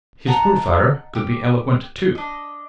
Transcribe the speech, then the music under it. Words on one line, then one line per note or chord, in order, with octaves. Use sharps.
His poor father could be eloquent, too.
D#5 F#5 A5 A#5
G4
D4 D#5